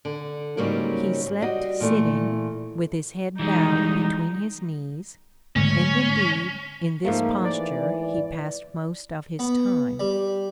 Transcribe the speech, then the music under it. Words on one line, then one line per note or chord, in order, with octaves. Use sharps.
He slept sitting, with his head bowed between his knees, and, indeed, in this posture he passed most of his time.
D3
G#2 C#3 F#3 G3 A#3
G3 F#4 D#5
A#2 E3 A3 E4
E3 G3 G#3 D#4
G#2 D3 G#3 A3 C#4
G#2 F3 A3 A#3
E3 D5
B3
G3